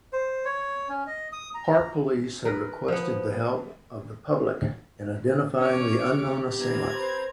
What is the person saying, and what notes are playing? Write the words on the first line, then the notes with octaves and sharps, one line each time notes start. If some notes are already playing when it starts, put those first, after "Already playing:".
Park Police had requested the help of the public in identifying the unknown assailant.
C5
C#5
C#4
D#5
D#6
A#5
A#4 B4
F3 B3
C#4 C#5 D6
G4
G2 B3 C4 E4 A#5 G#6
B4 C5